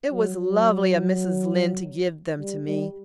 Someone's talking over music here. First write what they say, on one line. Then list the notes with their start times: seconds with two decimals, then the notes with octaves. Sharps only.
It was lovely of Mrs. Lynde to give them to me.
0.11 F#3
0.40 F#3
2.39 G3
2.67 G3